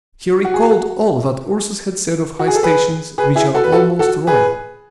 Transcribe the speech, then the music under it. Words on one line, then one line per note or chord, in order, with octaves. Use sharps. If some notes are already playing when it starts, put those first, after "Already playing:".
He recalled all that Ursus had said of high stations which are almost royal.
F#4
G#4
F#4
F#4
G#4
A4
G#4 B4
G#4 B4
E4 G#4
F#4 A4
B4
F#4 A4
F#4 A4
G#4 B4